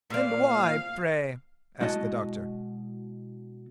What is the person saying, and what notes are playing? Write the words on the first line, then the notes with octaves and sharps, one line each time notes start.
"And why, pray?" asked the Doctor.
A#2 C4 F5
B2 G#3 E4 F#4 D#5 A5